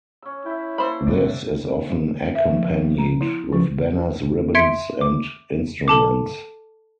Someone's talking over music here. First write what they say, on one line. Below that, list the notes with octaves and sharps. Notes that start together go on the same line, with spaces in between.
This is often accompanied with banners, ribbons and, instruments.
C#4 E6
E4 E5 G5
A#3 A4 C5 B5
G2 C3 D5 F#5
E5
F3
B3
A#5
E4
F3
E5 C6 G#6 B6 C#7 D7
D6
A4 A5 D6